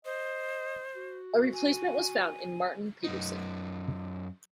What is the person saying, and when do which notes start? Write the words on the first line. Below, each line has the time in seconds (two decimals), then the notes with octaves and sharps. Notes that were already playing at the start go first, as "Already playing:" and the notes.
A replacement was found in Martin Pedersen.
0.05 C5 D#5
0.96 F#4
1.53 G#5
3.04 F#2 D#4